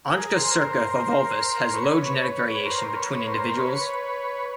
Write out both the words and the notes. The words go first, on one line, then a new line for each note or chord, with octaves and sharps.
"Onchocerca volvulus" has low genetic variation between individuals.
G#4 A#4
A#4 C5
A#4 C5
B4 C#5
C#5
A#4 C5
C5
B4 C#5
A#4 C5
B4 C#5